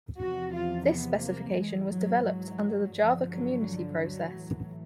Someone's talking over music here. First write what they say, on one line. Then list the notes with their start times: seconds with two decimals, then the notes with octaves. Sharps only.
This specification was developed under the Java Community Process.
0.18 E2 C3 F3 F#4
0.53 F4
0.88 B3
1.22 A#3
1.57 G#2 E3 G#3
1.91 F#3
2.27 F#3
2.96 G2 D3 F3
3.31 F#3
3.65 F3
4.00 F#3
4.34 A2 E3